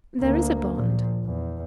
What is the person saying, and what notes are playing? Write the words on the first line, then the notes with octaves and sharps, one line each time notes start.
"There is a bond."
D2 A#3
A#2 F3
E2